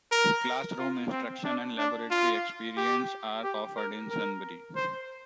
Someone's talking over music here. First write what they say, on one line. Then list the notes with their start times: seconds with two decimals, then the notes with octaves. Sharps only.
Classroom instruction and laboratory experience are offered in Sunbury.
0.12 A#4
0.79 F4
1.12 C4
1.44 D4
1.78 D4
2.11 F4
2.77 G4
3.44 G4
3.77 A#4
4.10 A#4
4.76 C5